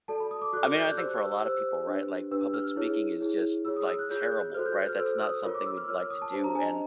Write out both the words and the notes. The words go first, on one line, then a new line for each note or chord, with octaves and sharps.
I mean, I think for a lot of people right like public speaking is just like terrible right? That's not something we'd like to do and
F#4 A4 D5 A5
B5
D#6
D6
F#4 A4 D5 F#6
F6
G6
F#6
G4 C5 E6
F#6
E6
E6
G4 C5
D4 G4 B4
D4 G4 B4 E6
F6
E4 G#4 C#5
E4 G#4 C#5
F4 G#4 C#5 E6
D#6
F6
F#6
F4 G#4 C#5 G6
F#6
F#6
F#6
F#4 A4 C5 F6
G6
F#6
F6
F#4 A4 C5 E6
D#6
F4 A#4 C#5 C#6
D6
E6
F6
F4 A#4 C#5 F6
F6
D#6
A5
D4 G4 C5 A5
A#5
G#5
D#5